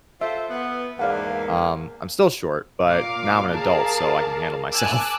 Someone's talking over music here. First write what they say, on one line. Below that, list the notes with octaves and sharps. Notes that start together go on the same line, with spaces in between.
um, I'm still short, but now I'm an adult, so I can handle myself.
F4 A4 C5 E5
B3
E2 G#2 A#3 D5 F5 F#5
A#4
A#2 F5 D6
G#4 A#4 D5 F5 A5 A#5
G#5 A5 D6 E6 F#6